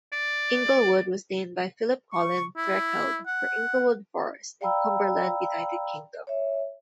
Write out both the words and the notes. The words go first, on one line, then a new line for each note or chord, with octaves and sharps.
Inglewood was named by Philip Colin Threkeld for Inglewood Forest in Cumberland, United Kingdom.
D5
C#6
E4
F#5
D5 F5 G5 A#5 B5 E6
C#5 E5